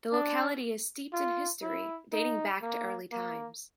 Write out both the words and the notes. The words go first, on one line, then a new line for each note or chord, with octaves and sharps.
The locality is steeped in history, dating back to early times.
D4
F4
E4
D#4
A#3
A#3